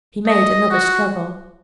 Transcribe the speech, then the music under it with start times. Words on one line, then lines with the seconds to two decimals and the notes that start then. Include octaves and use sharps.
He made another struggle.
0.28 D#5
0.71 F#4